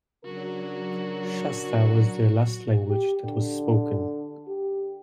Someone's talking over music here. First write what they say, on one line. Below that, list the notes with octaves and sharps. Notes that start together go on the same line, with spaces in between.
Shasta was the last language that was spoken.
C#3 F#3 D4 F#4 A#4
G4
D3
G4